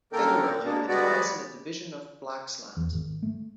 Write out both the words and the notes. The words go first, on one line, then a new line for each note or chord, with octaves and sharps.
Federally, it lies in the division of Blaxland.
F#2 D3 A#3 A4 A#4 G5
B2 G#3 A#3 D4
G3 G#3 B3 F#4 D5
E2
G#1
A3